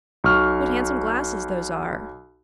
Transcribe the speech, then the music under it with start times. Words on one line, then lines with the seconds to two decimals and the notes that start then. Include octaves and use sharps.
What handsome glasses those are!
0.24 B1 C#6 F6